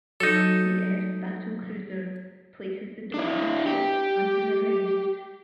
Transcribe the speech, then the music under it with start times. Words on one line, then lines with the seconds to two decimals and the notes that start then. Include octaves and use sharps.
The Earth battlercruiser places the Doctor's ship under arrest.
0.20 F#3 D#4 A4
3.14 D4 E4
3.66 G4